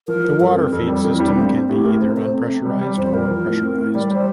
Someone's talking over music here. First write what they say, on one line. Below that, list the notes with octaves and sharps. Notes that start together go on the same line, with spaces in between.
The water feed system can be either unpressurized or pressurized.
F3 A#4
F3
G2 A4
C4 A#4
F2 A4
G3
F2 A#4
E4
G3
D4
A3 C4
A#3
C4 D4
A2 G4
A2 A#4
C3 C5
A3 C5
C3
C3
G3
G3
F2 C5
G3 A#4
F3
A2
C4
A2
G3 D5
G3 C5